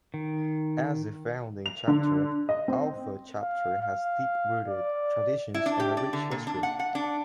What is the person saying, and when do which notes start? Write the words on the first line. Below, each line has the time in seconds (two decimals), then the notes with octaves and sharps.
As the founding chapter, Alpha Chapter has deep rooted traditions and a rich history.
0.14 D#3
1.66 F7
1.88 D3
2.49 D#5
2.68 C4
3.42 F5
3.82 F5
4.68 D5
5.54 E4
5.66 D4
5.80 G4
5.97 D5
6.13 D3
6.31 A#2
6.47 D4
6.63 F#5
6.79 F#5
6.95 D4